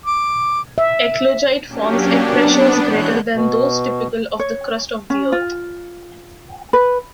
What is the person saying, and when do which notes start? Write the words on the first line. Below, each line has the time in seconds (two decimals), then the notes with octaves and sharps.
Eclogite forms at pressures greater than those typical of the crust of the Earth.
0.06 D6
0.78 E5
1.69 F#3 A#3 C#4 D4 G4
2.19 B3 D4
2.81 E3 G#3 C#5 F#6 G6
3.35 B2
4.40 C#5
5.10 C#4
5.32 F4
6.73 B4